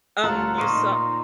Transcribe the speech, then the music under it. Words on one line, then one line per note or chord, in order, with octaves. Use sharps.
um, you saw
D2 F4 A4 A#4 C#5 F#5
A#2 A#3 D#4 C5 D#5 C6 C#6